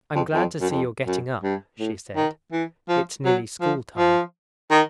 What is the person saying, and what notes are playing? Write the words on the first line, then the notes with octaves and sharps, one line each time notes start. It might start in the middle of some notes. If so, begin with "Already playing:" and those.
"I'm glad to see you're getting up," she said; "it's nearly school-time."
F2
F2
F#2
F2
F#2
G2
A2
D#3
E3
F3
F#3
F3
F3
D#3